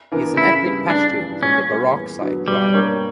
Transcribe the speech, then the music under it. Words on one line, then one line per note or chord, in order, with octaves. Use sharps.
He is an ethnic Pashtun from the Barakzai tribe.
E3 B3 D4 A#4
C#3 E4
G3 B3
C#3 D4
E3 G3
A#2 C#4
G3 A#3
E2
D3 F#3 B3
B2 G3
A#3 D4 A#4 C#5